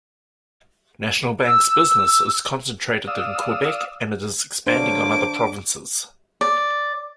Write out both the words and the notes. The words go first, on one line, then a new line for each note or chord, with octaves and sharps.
National Bank's business is concentrated in Quebec, and it is expanding on other provinces.
E6
D5 F5 D#6 E6
D3 F#3 A#3 D4 C5 D6
D5